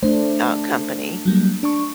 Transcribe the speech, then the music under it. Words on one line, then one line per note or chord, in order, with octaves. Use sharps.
uh, company,
A3 D4 C5
F#3 G3 A#3
D4 A5 C#6